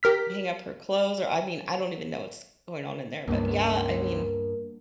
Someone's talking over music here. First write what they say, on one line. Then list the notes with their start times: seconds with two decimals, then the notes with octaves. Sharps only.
hang up her clothes or, I mean, I don't even know what's going on in there, but yeah, I mean
0.03 G4 A#4 F6 B6
3.28 C#2 G2 A#3 B3 A#4